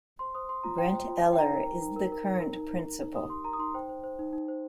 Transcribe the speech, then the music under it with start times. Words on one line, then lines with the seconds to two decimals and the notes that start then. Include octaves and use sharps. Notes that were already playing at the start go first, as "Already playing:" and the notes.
Brent Eller is the current principal.
0.19 C5 C6
0.35 C5 D#6
0.49 C5 C6
0.63 F4 A#5
0.78 C5 G5
0.94 C5
1.08 F4
1.23 C5
1.33 G5
1.37 D#4 A#5
1.53 A#4
1.67 A#4
1.82 D#4
1.96 A#4
2.12 A#4
2.26 D#4
2.41 A#4
2.56 D#4
2.70 D#4
2.86 A#4
3.01 D#4
3.14 G4 D#6
3.30 D#4 C6
3.44 A#4 A#5
3.53 D#6
3.59 D#4 C6
3.74 C5 G5
3.89 C5
4.04 C5
4.19 D#4
4.33 D#4
4.48 C5